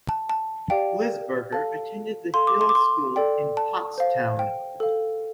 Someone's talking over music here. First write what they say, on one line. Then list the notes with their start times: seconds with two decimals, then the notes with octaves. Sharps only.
Lisberger attended The Hill School in Pottstown.
0.09 A5
0.30 A5
0.70 G4 D5 F5 G5
1.52 A4 F5 A5
2.34 A4 F5 C6
2.47 D6
2.61 C6
2.69 D6
2.75 C6
3.16 A4 D5 G5
3.57 A5
3.98 C5 F5
4.39 G5
4.80 A4 F5